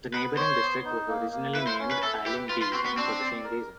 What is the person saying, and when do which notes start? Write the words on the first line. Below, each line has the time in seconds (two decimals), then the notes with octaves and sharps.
The neighbouring district was originally named Alyn-Dee for the same reason.
0.14 B3 B4
0.37 C5 C#5
0.61 B3
0.85 D#4
1.08 A#3
1.31 A#3
1.55 E4 B4
1.67 C5
1.79 C#4
1.91 B4
2.03 A4 E5
2.26 G4 B4
2.49 F4 B4
2.62 F4
2.73 C4 F#4
2.86 B3
2.97 C4 D4
3.20 D5
3.44 A#4